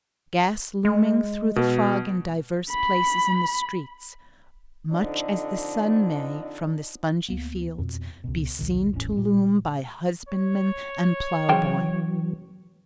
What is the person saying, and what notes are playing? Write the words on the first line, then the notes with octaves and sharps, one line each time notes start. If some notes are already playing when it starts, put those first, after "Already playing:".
Gas looming through the fog in divers places in the streets, much as the sun may, from the spongey fields, be seen to loom by husbandman and ploughboy.
G#3
B2
B5
F2 D3 D4 D#4 C5 D#5
D2 A#3 B3
F2 B2
C#2 B2
D#1 B1 D#3
E1 A1 C3 C#4
A#2 G#3
C#5
C#3 E3 F#3 C5 G5